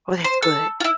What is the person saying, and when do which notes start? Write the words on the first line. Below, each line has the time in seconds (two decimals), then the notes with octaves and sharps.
Oh, that's good.
0.24 C5
0.43 A4
0.80 E4 F4